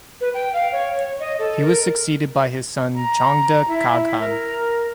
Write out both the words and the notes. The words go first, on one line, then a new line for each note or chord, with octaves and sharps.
He was succeeded by his son Chongde Qaghan.
B4
G5
F5
C#5
C#5
D#5
A4
A#4
A#5
E4
A#4